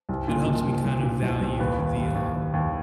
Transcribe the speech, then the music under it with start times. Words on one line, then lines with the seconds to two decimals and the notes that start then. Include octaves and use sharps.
that helps me kind of value the, uh,
0.09 C2
0.28 A#2
0.46 A#2
0.66 C2
0.85 C2
1.03 A#2
1.22 C2
1.41 C2
1.59 D#2 B4
1.79 D#2
1.96 D#2
2.15 D#2
2.35 D#2
2.54 D#2